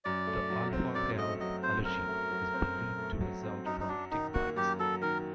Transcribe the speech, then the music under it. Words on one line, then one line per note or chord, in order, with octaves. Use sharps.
The alpha-gal allergy is believed to result from tick bites.
F#2 D5
A3
F#3
C4
F#2 D5
A3 D#5
F#3 D#5
C4 C5
F#2 A#4
A3
F#3
C4
F#2
A3
F#3
C4
F#2 D#4
D#4
F#3 D4
D#3 D#4
A#3 F#4
F#2 G4
F#3 A4
D#3 A#4